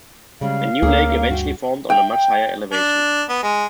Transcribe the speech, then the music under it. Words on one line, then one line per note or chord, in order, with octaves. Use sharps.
A new lake eventually formed on a much higher elevation.
C#3 G3 G#3 F5
D2 A#3 C#4 G#4
G2 F#4 G5
G5
D4
B3
G#3